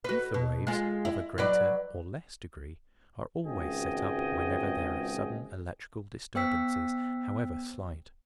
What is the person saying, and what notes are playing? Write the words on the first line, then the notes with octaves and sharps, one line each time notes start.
Ether-waves of a greater or less degree are always set up whenever there are sudden electrical disturbances, however slight.
F#4 B4
B2
G#3 F4
E4
F#3 B4 D5
G#1 C#2 F#4 D#5 G5 G#5
B3 C5 G5 E6 B6